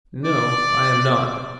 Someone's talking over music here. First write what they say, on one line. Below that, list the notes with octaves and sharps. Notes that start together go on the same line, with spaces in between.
"No, I am not."
D5